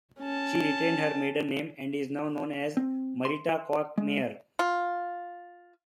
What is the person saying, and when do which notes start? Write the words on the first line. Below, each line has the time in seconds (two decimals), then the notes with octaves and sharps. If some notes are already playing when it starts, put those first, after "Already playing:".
She retained her maiden name, and is now known as Marita Koch-Meier.
0.20 C#4 A5
2.77 C4
3.25 C6
3.98 G#3
4.59 F4